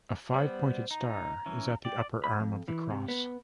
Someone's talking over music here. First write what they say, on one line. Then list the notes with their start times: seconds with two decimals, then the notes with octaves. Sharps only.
A five-pointed star is at the upper arm of the cross.
0.34 G3 B3 C5
0.91 D#4 A#5
1.46 E3 C#4
1.85 D5 G5
2.24 B5
2.40 F2
2.68 E3
2.90 C3
3.08 B3